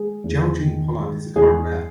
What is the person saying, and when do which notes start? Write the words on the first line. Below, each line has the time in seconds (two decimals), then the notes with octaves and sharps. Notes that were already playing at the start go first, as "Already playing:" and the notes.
Gerald Gene Pollard is the current mayor.
Already playing: G#3 G#4
0.24 E2
0.60 D#3
0.99 G#3
1.36 E2 G#4